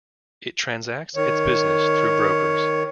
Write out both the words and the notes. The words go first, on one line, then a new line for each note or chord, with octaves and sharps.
It transacts its business through brokers.
D#3 C#5